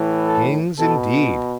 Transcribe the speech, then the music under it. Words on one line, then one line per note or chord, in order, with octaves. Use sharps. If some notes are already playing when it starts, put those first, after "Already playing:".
Kings, indeed!
Already playing: A2 E3
A4
B2 A4